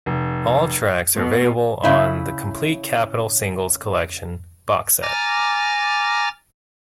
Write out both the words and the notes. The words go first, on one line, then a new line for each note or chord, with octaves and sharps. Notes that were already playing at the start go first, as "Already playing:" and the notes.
All tracks are available on "The Complete Capitol Singles Collection" box set.
F1
B2
C#3 E4
G#5 A#5 D6 F6 A6 A#6